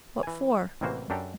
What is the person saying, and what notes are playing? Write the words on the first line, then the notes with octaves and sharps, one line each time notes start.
What for?
E3 G#5
A1 C3 E3 A#3 F#4 C5
F#2 D4 G4 A4 G5 A#5